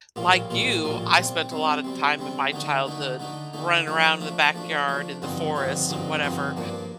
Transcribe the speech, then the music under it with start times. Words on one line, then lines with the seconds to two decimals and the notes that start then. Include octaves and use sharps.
like you, I spent a lot of time in my childhood running around in the backyard, in the forest, and whatever.
0.16 A#1 A2 G3 A#3 F4
0.50 A#1 A2 G3 A#3 F4
0.84 A#1 A2 G3 A#3 F4
1.18 C3 G3 C4
1.51 C3 G3 C4
1.84 C3 G3 C4
2.19 C3 G3 C4
2.52 D3 A3 D#4
2.86 D3 A3 D#4
3.20 D3 A3 D#4
3.53 D3 A3 D#4
3.87 F3 A3 D4
4.21 F3 A3 D4
4.55 F3 A3 D4
4.88 F3 A3 D4
5.22 G2 D3 F3 C4 D#4
5.56 G2 D3 F3 C4 D#4
5.90 G2 D3 F3 C4 D#4
6.23 G2 D3 F3 C4 D#4
6.57 G2 F3 A#3 D4